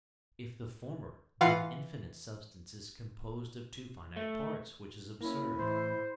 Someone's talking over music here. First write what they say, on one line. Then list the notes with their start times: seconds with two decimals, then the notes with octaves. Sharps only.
If the former, then infinite substance is composed of two finite parts, which is absurd.
1.41 E3 F4 F5 F#5
4.16 A3
5.21 A#3 C#4 E4
5.59 A2 E3 C5